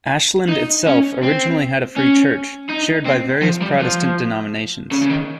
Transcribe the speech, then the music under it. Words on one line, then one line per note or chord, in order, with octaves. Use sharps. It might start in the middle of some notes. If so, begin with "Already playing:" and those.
Ashland itself originally had a Free Church, shared by various Protestant denominations.
D#4
C#4
C4
C#4
D#4
C4
F3
G3
F3
C#3
C#3
D#3